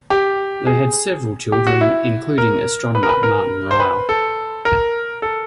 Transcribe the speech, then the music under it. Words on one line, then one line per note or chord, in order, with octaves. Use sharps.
They had several children, including astronomer Martin Ryle.
G4
G#4
G4
F#4
E4
A#4
B4
A#4
B4
A#4
C5
B4
A4
A#4
A4